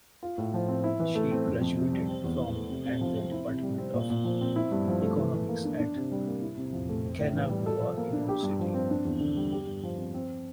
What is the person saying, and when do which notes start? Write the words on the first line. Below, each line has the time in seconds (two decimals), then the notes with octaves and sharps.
She graduated from and the department of economics at Kanagawa University.
0.23 F4
0.38 A2
0.54 F3
0.68 C4
0.84 E4
1.00 E3
1.15 A3
1.31 C4
1.46 F2
1.61 F2
1.78 C3
1.92 G3
2.08 C4
2.24 E2
2.39 E3
2.55 A3
2.70 C3
2.85 C3
3.01 F3
3.16 C4
3.32 E4
3.48 C3
3.63 G3
3.78 C4
3.94 A#2
4.10 A#2
4.25 F3
4.41 C4
4.56 E4
4.72 G2
4.88 F3
5.02 A3
5.18 E3
5.34 E3
5.49 A#3
5.65 D4
5.80 D4
5.96 C3
6.12 G3
6.27 A#3
6.42 E4
6.57 C3
6.72 F3
6.89 A3
7.03 C4
7.19 A2
7.36 E3
7.50 G3
7.66 A4
7.81 F3
7.97 A#3
8.13 D4
8.28 G4
8.43 G2
8.59 F3
8.74 C4
8.90 D4
9.05 E2
9.21 D3
9.37 G3
9.52 G4
9.67 G2
9.83 F3
9.98 C4
10.14 C4